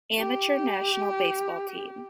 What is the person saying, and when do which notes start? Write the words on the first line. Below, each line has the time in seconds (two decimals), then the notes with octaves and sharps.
Amateur National Baseball Team.
0.19 G4